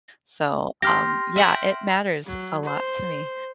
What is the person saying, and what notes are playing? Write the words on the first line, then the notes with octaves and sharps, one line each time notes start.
so, um, yeah, it matters a lot to me,
G4 C6 F6 A#6
E5 F#5 G5
F#3
C5